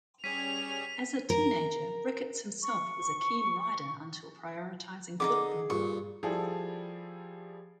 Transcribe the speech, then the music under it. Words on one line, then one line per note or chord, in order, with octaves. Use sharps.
As a teenager, Ricketts himself was a keen rider until prioritising football.
G3 C#4 G#4 B6 D#7 F7
A#4
C#6
D3 D#4 E4 G#4 D6
G2 A#2 C#6
F3 G3 E4 G#4 A4